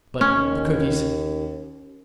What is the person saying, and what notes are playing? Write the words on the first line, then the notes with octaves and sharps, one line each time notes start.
But the cookies!
D#2 C#4